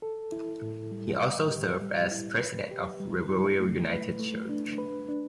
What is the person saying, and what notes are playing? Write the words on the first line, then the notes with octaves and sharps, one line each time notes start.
He also served as president of Riverview United Church.
A4
E4
A2
G3
B4
G4
G3
E4
B4
G4
G3
E4
A3
B4
A3
D4
B4
D4